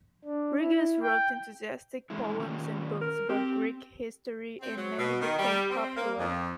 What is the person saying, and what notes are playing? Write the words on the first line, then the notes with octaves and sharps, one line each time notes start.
Rigas wrote enthusiastic poems and books about Greek history and many became popular.
D4
E4
G5
E3 G#3 E4
D#3 C#4 F4
A#4
C4 G4
C4
F#3
B2
D#3
G3
C4
A#3
F2